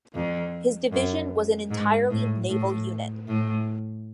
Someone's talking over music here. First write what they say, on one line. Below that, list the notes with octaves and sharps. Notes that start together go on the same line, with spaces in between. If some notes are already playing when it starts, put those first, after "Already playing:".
His division was an entirely naval unit.
F2
F#2
G#2
A2
A2
A2